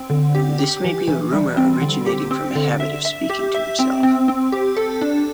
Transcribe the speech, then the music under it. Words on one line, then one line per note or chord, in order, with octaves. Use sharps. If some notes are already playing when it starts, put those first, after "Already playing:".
This may be a rumour originating from a habit of speaking to himself.
Already playing: C4
D3
G4
G4
E3
E3
G3
C4
D3
G4
C4
D3
E5
E5
G4
E5
C4
C4
C4
G4
A4
D4